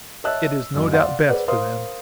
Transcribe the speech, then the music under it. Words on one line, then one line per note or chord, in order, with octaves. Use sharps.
It is no doubt best for them.
C#5 D#5 E5 A5 E6 F#6
A1 F#2
D5 F5 F#5 C6
G#4 B4 C5 D5 F#5
A#4 C5 F5 C6 D#6